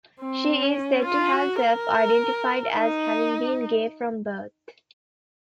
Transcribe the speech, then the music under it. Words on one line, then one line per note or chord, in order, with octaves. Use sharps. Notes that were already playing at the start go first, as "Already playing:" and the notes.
She is said to have self-identified as having been gay from birth.
C4
C#4
F4
F#4
A#4
D#4